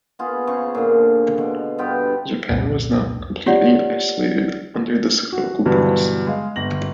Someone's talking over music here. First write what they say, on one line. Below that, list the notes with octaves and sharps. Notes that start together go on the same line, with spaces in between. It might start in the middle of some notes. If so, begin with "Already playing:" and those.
Japan was not completely isolated under the "sakoku" policy.
B3 F4 G#4
C#3 C5 C#6
A#2 D3
B2
G2 B3 F4 G5
C2 F2 A#2
F4 G4 C#5 D5 F#5
F#4
G2 B2 D3 E3 F#3
G#3 F5
G1 A#6 F#7